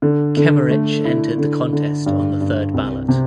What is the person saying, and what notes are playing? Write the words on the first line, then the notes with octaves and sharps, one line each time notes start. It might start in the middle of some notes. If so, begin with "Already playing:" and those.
Kemmerich entered the contest on the third ballot.
D3
D3
A3
E4
D3
D3
G2
G2
C2
C3